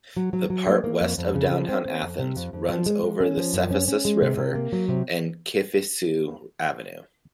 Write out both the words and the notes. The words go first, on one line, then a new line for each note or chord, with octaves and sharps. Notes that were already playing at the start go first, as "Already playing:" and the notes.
The part west of downtown Athens runs over the Cephisus river and Kifissou Avenue.
F#3
F#3
F#3
A#3
A#3
F2
F2
C#3
F3
C4
C4
F2
C3
F2
F2
F3
G#3
G#3
C#4
F3
F#2
C#4
C#4
G#3
C3
C3
A#3
F#3
C3